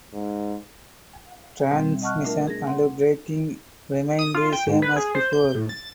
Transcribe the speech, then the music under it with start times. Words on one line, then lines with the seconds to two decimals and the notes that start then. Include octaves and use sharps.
Transmission and braking remained the same as before.
0.13 G#2
1.70 B2 G3 C4
2.02 D#5 F#5 A5 C#6 F6 F#6
2.24 A3 D4 F4 A#4
2.47 G#4 A#6
2.67 F#5 C6
4.19 D#6
4.34 F4
4.53 G5
4.67 G#2
4.82 B4
4.96 G#4
5.15 C5
5.33 G6
5.55 A2
5.69 A6